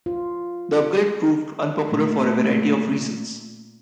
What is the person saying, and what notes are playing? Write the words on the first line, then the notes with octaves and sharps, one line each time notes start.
The upgrade proved unpopular for a variety of reasons.
F4
A#2 A3